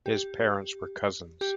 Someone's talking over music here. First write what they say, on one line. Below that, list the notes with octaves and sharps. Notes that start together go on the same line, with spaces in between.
His parents were cousins.
G4
G4